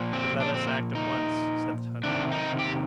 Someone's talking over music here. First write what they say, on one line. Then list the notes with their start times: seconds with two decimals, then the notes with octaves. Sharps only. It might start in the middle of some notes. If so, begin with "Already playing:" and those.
"But let us act at once!" said the hunter.
Already playing: A#2 F3
0.13 C4
0.40 D4
0.54 C4
0.67 A#3
0.95 D#4
2.04 C3 D#3 D4
2.32 D#4
2.59 G4